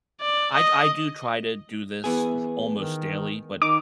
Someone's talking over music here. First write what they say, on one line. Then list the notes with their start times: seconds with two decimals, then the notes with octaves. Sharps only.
I d I do try to do this almost daily, but,
0.21 D5
0.54 D#5
2.04 E3 B3 G#4
2.75 D#3
3.62 D#3 D#4 D6